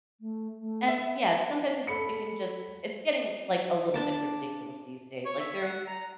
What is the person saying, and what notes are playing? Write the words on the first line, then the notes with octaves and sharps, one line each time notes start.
and, yeah, sometimes it it can just it's getting, like, a little bit ridiculous these days, like, there's
A3
A3
E5
A4 B5 C#7
D4 A5 D6
C#5
E5
F#5
A#5